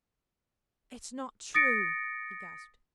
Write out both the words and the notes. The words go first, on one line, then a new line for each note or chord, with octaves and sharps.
"It's not true!" he gasped.
D#6 A6 A#6 C#7 D7